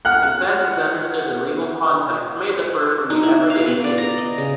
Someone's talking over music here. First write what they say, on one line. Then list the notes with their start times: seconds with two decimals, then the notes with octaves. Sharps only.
Consent as understood in legal contexts may differ from the everyday meaning.
0.05 F#5 F6 F#6
3.10 D#4
3.23 E4
3.50 F5
3.66 B3
3.84 D5
3.98 A#5
4.18 D#5
4.38 C#3